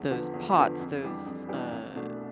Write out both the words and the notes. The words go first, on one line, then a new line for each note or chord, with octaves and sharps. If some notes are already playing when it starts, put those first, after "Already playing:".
those pots, those, uh,
Already playing: E2
D3 F3 B3
E2
D3 F3 B3
F2
E3 G3 D4 G4
F2
E3 G3 D4 G4
C2
B2 A3 D4